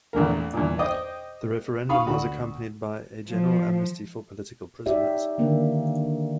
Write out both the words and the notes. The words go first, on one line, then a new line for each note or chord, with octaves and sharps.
The referendum was accompanied by a general amnesty for political prisoners.
A#1 E2 A3 A#4
E2 G2 A#2
C5 D#5 G5 D6 D#6
F5 B5 C#6 D#6
D2 F#4 B5
F3
D#4 G4 C#5 D5 E5
D3 D#3 A#3 D4